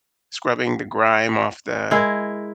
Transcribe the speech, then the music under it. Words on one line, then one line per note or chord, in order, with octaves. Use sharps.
scrubbing the grime off the
G#3 E4 A#4